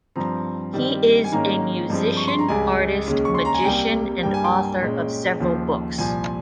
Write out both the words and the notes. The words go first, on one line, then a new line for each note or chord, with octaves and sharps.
He is a musician, artist, magician and author of several books.
G2 F3 C4 A#5
G2 D#3 G3 C4
G#5
G#2 D#3 A#3 C#4 A#5
G2 F3 G#3 C4
C#6
C6
A#5
C#2 C#3 G3 G#5
D#2 C#3 G#3 C#4
C#6
C6
A#5
G#5
C2 C3 G3 A#3 G5
G2 G3 A#3 G5
G#5
G5
A#2 G#3 C#4
D#2 C#3 F3
C2 A#2 F3 G#5